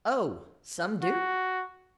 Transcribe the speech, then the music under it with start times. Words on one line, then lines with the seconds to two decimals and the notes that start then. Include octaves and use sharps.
"Oh, some do!"
1.02 F#4